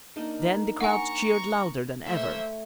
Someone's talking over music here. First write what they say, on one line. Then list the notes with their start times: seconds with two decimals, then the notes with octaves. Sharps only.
Then the crowd cheered louder than ever.
0.16 A#3 D4 D#4
0.81 F#5 G#5 A#5 C#6
2.06 A3 A#3 C5 C#5 E5